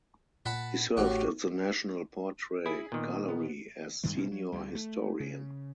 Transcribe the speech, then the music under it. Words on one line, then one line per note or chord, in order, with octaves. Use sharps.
He served at the National Portrait Gallery as senior historian.
A#2 F#5 A5 B5
A1 A2 F#4 G4 F#5
E4 G#4 B5 D#6
A#2 D#3 B3
B3
G2 D#3 G3 G#3
B2 G3 G#3 C4
F#3
D2 G3
A3
C#3